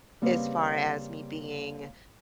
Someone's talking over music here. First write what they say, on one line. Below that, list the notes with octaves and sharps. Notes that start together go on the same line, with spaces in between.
as far as me being,
C#3 G3 A#3 C4 B4